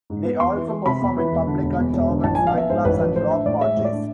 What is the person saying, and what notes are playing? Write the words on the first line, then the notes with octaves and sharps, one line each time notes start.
They also perform in public at taverns, nightclubs, and block parties.
G#2
B3
E2 C6
E3
G#3
C3 B5
E2
E3
E1
D3
E1
E2
E1
D3
A1 A5
F3 G#5
F5
B3 E5
G#2 C5
A1 B4
F3 B4
A2 C5
D4 E5
A2 D5
G#3 E5
A2
D5
D4